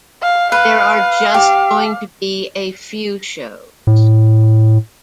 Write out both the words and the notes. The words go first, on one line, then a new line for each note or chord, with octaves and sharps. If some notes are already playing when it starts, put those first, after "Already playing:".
There are just going to be a few shows.
F5
B4 F5
G4
A2